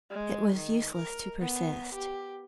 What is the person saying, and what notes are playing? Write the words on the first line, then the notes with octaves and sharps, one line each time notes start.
It was useless to persist.
G#3
D#3
A#4
B3
G4